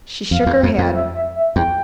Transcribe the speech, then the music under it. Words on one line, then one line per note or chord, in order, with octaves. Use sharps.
She shook her head.
F2 F5
E2
F2
F2
E5
E5
E5
E2 G5